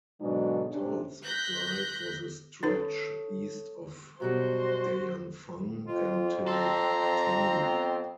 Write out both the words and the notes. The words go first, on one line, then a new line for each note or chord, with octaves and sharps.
Tolls apply for the stretch east of Dayangfang until Tanggu.
G#2 B2 D3 F#3 G#3 D4
C3 C#4 D4
F#6 G6 A#6 B6
C#4 D#4 A4 B4 C#5
F#2 B2 G3 F#4 C5
F2 F4
C4 A4 A#5 C6
B3